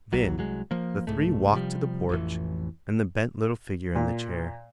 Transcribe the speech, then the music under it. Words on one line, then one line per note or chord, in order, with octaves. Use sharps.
Then the three walked to the porch and the bent little figure in the chair.
B1 F#3
C2 F#3 G#3
F3 A#3
C2 G#2 A3
C3 F3 G3
A1 F2 E3
A#2